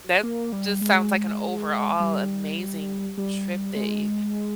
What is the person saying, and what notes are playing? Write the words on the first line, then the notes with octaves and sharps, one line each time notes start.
that just sounds like an overall amazing trip that you
A#3
G3
G#3
G3
G3
G#3